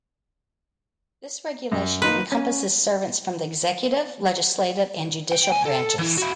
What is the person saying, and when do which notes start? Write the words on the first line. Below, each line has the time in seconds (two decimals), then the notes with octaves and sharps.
This regulation encompasses servants from the executive, legislative and judicial branches.
1.72 F#2
2.02 A#3 D#4 B4 C6
2.32 C#4
5.32 G5
5.52 D2 G#5
5.66 A4
5.98 E3 E4
6.18 E4 F#4